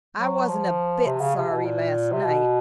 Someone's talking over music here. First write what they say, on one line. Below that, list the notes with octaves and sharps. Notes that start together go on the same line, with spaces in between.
I wasn't a bit sorry last night.
F#3
F3
C3
C#3
C3
B2
A#2
C3
B2